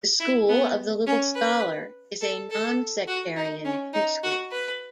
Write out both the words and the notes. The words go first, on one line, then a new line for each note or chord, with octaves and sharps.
The School of the Little Scholar is a non-sectarian preschool.
E4
B3
C#4
B4
A4
A4
F#4
D#4
C#4
D#4
F#4
B4